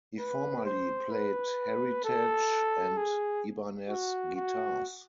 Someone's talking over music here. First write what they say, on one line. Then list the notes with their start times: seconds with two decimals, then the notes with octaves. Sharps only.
He formerly played Heritage and Ibanez guitars.
0.19 B4
0.65 C5
1.11 B4
2.04 A4
2.97 G#4
3.89 F#4
4.36 F#4